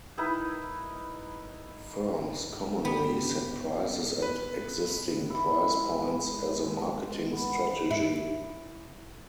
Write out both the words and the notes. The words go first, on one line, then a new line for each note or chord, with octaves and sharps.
Firms commonly set prices at existing price-points as a marketing strategy.
D#4 E4 A#4 B4
B3 G4
B4
E4
G#3
G#3
B3
E4